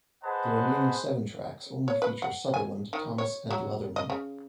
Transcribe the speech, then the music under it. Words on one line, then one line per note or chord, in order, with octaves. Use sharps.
The remaining seven tracks only feature Sutherland, Thomas, and Leatherman.
G#4 B4 C5 D#5 F#5 A5
C#5
B4
F#5
G#5
D#3
C#5
F#3
D#5
C#3